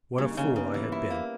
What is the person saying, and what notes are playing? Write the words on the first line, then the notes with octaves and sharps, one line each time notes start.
What a fool I had been!
C#3 G3 A#3
D#4
C#3 A#3 C#4
C#3 B3 D#4
E3
E4
A#3